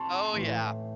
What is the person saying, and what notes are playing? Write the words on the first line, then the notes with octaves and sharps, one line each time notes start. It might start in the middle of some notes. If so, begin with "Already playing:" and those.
Oh, yeah.
Already playing: C3 A5 C6 C#6
A2 E3